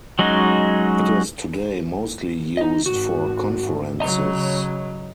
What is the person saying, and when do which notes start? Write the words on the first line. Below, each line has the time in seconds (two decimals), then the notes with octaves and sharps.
It is today mostly used for conferences.
0.19 F#3 G#3 C#4 D#4 F#4
2.57 D#4 D#5
2.86 G#1 F#4
4.00 C#3 F#3 D#5 A#5